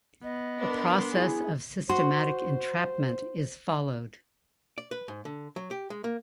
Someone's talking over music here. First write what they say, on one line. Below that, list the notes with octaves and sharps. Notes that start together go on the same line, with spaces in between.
A process of "systematic entrapment" is followed.
B3 D#5
D4 A#4 B4 C6
E4 G#4
F#4 C5 C6
D5
B4
G#2
D3
F#3
G4
G#3
A#3